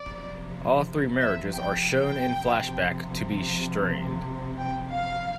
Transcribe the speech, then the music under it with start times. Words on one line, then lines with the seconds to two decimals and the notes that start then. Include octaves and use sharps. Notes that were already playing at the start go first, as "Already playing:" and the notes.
All three marriages are shown in flashback to be strained.
Already playing: C3 F3 D5
1.21 E5
1.55 G5
1.89 G5
2.56 C3 F3
4.59 G5
4.93 F5